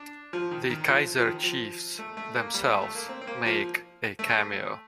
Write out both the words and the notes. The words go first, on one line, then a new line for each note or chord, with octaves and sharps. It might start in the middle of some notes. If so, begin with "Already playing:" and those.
The Kaiser Chiefs themselves make a cameo.
Already playing: D4
F3
D#3
D#3
F3
F3
D#3
F3
A3
A3
A#3
G3
A3
A3
A#3
C4
C4
A#3
F3
A3